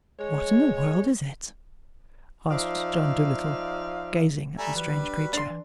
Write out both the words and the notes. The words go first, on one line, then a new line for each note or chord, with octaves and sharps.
"What in the world is it?" asked John Dolittle, gazing at the strange creature.
G#3 C#5
F3 D#4 D5 E5 F5
G3 A3 G#5 A#5
E3 F#3 B4
D4
F#4
D4 C5 D5 C6
E3